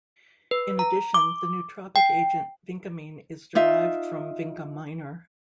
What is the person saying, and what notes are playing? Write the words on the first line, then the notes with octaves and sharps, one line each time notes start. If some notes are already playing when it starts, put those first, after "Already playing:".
In addition, the nootropic agent vincamine is derived from "Vinca minor".
B4
A#5
D6
G5
D#4 F4 E5